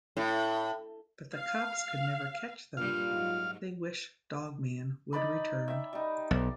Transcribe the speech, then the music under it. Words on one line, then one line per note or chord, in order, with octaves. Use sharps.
But the cops could never catch them, they wish Dog Man would return.
A2
F5
G2 A#2 G3 F4 F5
G#2 F#3
D#4 D5 B5
E5 G5
G3 D#4
B1 D5